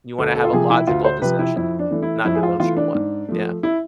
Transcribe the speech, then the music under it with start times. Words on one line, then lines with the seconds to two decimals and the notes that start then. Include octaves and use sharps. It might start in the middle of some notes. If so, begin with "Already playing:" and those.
You wanna have a logical discussion, not an emotional one, yeah.
0.18 D2 A4
0.35 A4
0.44 F4
0.53 C3 F3 G#4
0.70 E4
0.87 D2 F4
1.05 C5
1.22 C3 F3 B4
1.39 E4
1.56 F2 E4
1.79 D4
1.91 E3 A3
2.03 E4
2.25 F2 E4
2.35 G#4
2.43 F4
2.60 E3 A3 F4
2.76 D4
2.95 G#2
3.29 F3 A3
3.63 E4